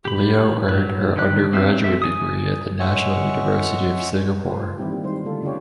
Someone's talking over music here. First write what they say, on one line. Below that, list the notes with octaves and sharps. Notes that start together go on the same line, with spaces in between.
Leo earned her undergraduate degree at the National University of Singapore.
G4 B5
F#3 B4
D3 D#3 G4 F#6
F#3 C4 C#4 E5
C4 A4 E5
G#5 D#6
G#3 C#4 E5 F#5 C#6
A3 F4 G4 B4 C5
D#3 E3 G3 C4 E4 G4
E3 A#3
D#3 G3 G#3 C5
D3 A3 F4 A4
C#3 D4 F4 G4 C#5